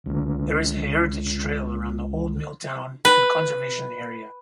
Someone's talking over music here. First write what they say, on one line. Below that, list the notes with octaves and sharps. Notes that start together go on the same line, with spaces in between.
There is a heritage trail around the old mill town and conservation area.
C#2 D3
B4